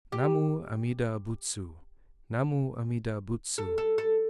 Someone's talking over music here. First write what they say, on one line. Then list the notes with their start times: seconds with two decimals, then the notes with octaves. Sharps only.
"Namu Amida Butsu, Namu Amida Butsu."
0.12 G4
3.58 A4
3.78 A4
3.98 A4